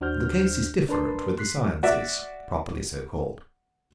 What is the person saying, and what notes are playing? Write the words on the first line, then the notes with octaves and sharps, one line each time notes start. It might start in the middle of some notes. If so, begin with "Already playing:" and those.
The case is different with the sciences, properly so called.
D#2 D4 F#4 C5 F6 G6
D4 A#4 B4 A5 C6
C6 F#6 B6 C7
F#4 D5 E5